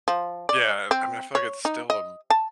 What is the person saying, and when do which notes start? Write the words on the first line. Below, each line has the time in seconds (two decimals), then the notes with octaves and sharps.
Yeah, I I mean, I feel like it's still, um,
0.08 F3
0.49 D5
0.91 C4
1.35 C#5
1.65 D#4
1.90 D#5
2.30 A5